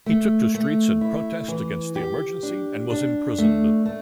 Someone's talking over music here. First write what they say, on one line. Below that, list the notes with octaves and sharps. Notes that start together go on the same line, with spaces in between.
He took to streets in protest against the emergency and was imprisoned.
A3
A3
E4
E3
G4
D4
D4
A3
A3